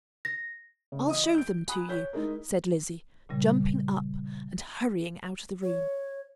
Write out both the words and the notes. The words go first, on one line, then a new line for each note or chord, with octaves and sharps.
"I'll show them to you," said Lizzie, jumping up and hurrying out of the room.
A#6
C#3
E3 D#5 D#6
G6 D7
G#5 A#5 B5 D#6 F#6
C#5 G6 B6
G#3 D#4 E4 G#4 A#4
A#2 C#3 G3
C#5